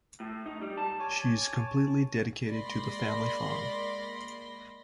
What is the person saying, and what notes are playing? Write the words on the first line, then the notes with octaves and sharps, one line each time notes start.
She is completely dedicated to the family farm.
A2
D#4
G3
A5
C#5 G#5 A5 D6
G#3 A#3 D5 B5 C6 A#6